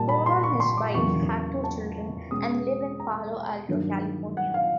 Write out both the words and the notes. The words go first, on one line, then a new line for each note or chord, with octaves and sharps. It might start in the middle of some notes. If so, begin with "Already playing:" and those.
Bono and his wife have two children, and live in Palo Alto, California.
Already playing: A#2 G3 A#3 A5
B5
C6
C#6
C6
D6
E2 C#3 F#3 A#3 C#6
A5
B2 G#3 C#4 D#6
A#5
G2 D#3 F#3 A#3 D4
F#5
F5